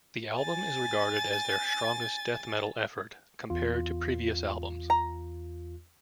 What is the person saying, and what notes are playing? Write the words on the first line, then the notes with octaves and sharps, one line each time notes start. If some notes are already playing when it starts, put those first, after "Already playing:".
The album is regarded as their strongest death metal effort, compared to previous albums.
G#5 A6
E2 F4
A#5